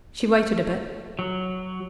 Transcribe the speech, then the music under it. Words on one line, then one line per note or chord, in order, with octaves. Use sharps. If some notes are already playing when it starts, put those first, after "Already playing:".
'She waited a bit.
F#3